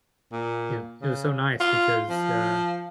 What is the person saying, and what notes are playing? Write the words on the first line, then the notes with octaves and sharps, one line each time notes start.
you know, it was so nice because, uh,
A#2
C#3
F4
F3